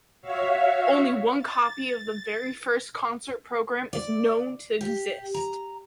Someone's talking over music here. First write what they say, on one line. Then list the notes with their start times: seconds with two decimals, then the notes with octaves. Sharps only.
Only one copy of the very first concert program is known to exist.
0.22 F#4 C#5 E5 F5
1.37 A6
3.93 D5
4.81 G4
5.34 A#5